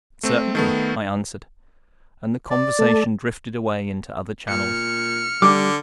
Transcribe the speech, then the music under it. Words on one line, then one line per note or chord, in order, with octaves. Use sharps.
"Certainly," I answered, and the conversation drifted away into other channels.
A3 C4
D#3 A3 B3
D5
A3 A4
A#2 F6 C#7
D3 G3 D6